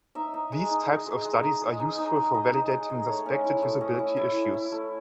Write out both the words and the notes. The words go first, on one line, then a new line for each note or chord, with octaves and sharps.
These types of studies are useful for validating suspected usability issues.
D#4 E5
D#4
G#3
D#4
G#3
G#3
G#3
D#4
G#3
D#4
D#4
G#3
D#4 D#5
D#4
G#3
G#3
A3 C#5
C#4
E4
A3
C#4 D#5
E4
E4
A3
E4
A3